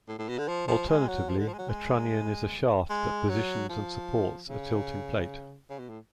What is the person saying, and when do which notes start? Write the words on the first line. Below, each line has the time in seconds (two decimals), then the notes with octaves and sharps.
Alternatively, a trunnion is a shaft that positions and supports a tilting plate.
0.08 A2
0.19 A2
0.29 B2
0.38 D3
0.48 F3
0.68 F3
0.88 G#3
1.08 F#3
1.29 F3
1.39 D3
1.48 F3
1.54 G#3
1.59 F#3
1.69 G#3
2.89 G#3
3.29 F#3
3.69 F3
4.49 C#3
5.70 C#3
5.79 B2
5.89 A2